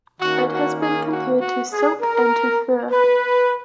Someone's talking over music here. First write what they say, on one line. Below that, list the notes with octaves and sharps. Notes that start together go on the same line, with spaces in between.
It has been compared to silk, and to fur.
D#3 A#3 C#4 F#4
F#4
G#4
F#4
F#4
G#4
A#4
B4